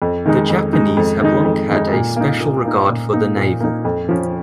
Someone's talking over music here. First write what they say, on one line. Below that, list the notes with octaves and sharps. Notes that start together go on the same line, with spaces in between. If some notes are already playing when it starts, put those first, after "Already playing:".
The Japanese have long had a special regard for the navel.
F2
D#3 G#3 D#4
F2
D#3 G#3 D#4
F2
D#3 G#3 D#4
F2
D#3 G#3 D#4
A#2
A#3 D#4
A#2
A#3 D#4
A#2
A#3 D#4
A#2
A#3 D#4
F2
F3 C#4